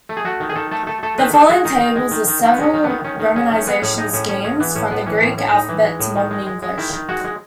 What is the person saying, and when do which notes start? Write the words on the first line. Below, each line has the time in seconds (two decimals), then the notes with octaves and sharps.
The following tables list several romanization schemes from the Greek alphabet to modern English.
0.09 A3
0.17 G#4
0.25 A3 F#4
0.40 D#3
0.49 G#4
0.56 D#3 A4
0.71 A3 A4
0.87 A3 A4
1.03 A3 A4
1.18 D#3 B4
1.33 D#3 A4
1.49 G#3 F#4
1.65 D#3 D#4
1.80 D#3
1.96 G#3
2.11 D#3
2.27 D#3
2.43 D#3
2.53 B3
2.58 G#3 C#4
2.74 D#3
2.84 D#3 B3
3.04 D#3 C#4
3.20 D#3
3.36 G#3 C#4
3.51 D#3
3.56 C#4
3.67 G#3 B3
3.82 A2 C#4
3.98 G#3 D#4
4.13 A2 C#4
4.29 A2 C#4
4.44 G#3 C#4
4.60 E3 B3
4.76 A2 C#4
4.91 A2 B3
5.06 E3 C#4
5.22 A2 C#4
5.38 A2 C#4
5.53 A2 D#4
5.69 E3
5.84 G#3
6.00 A2
6.16 D#3
6.31 G#3
6.46 G#3
6.62 G#3
6.78 D#3 E4
6.93 D#3
7.09 G#3 F#4
7.24 G#3